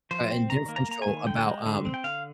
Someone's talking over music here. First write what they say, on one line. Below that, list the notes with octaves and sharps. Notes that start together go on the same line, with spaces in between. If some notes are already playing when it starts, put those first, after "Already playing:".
uh, and differential about, um,
F3 C5
C4
D#3 A#5
A#3
A#5
A#3 A#5
G#5
D#3
D3 G5
G#3
D3
C4
G5
D3 F5